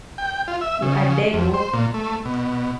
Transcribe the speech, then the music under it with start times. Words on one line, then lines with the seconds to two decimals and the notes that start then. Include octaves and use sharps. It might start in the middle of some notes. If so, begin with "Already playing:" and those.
You a dead wop.
0.18 G5
0.48 F4
0.61 E5
0.82 C#3
1.33 F2
1.54 C5
1.73 A#2
1.94 A3
2.25 B2